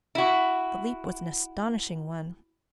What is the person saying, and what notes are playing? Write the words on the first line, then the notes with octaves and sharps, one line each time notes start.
The leap was an astonishing one.
E4 F#4